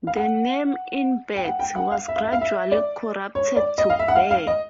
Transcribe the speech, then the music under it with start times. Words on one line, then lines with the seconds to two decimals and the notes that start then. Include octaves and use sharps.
The name "Imbert" was gradually corrupted to "Bear".
0.07 F5
0.16 F#5
1.36 G5
1.45 F#5
1.59 G5
1.76 F#5
1.91 F5
2.08 E5
2.16 F5
2.25 E5
2.33 F5
2.41 E5
2.71 D5
3.35 C#5
3.56 D5
3.78 D#5
3.90 F5
3.99 E5
4.08 F#5
4.15 F5
4.31 F5
4.47 D#5